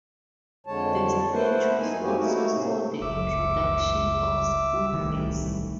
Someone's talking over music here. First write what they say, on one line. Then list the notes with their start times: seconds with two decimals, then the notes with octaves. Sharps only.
The statues also saw the introduction of school fees.
0.67 F2 D3 G#3 C#5 A5
1.32 A3 E4 B4 C5 F#5
1.80 F#2 D#4 G#5
2.01 A3 A#3 C4 C#4 F#4 G4
2.16 A3 A#3 C#4 D#4 E4 F#4
2.50 A2 C3
3.02 F#1 C#2 E5 D6
4.93 D1 C2 D#3 E3 A3